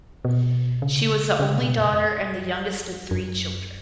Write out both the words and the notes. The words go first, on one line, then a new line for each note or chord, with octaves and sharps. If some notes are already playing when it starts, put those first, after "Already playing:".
She was the only daughter and the youngest of three children.
B2
C#3
C#3
B2
F#2
F2
F#2
F#2